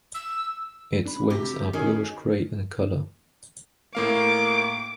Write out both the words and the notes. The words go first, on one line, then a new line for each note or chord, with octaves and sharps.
Its wings are bluish-gray in color.
E6
D4 B5
C3 F#4 G4
D#3 C#4 G#4
A2 A#3 F5 D6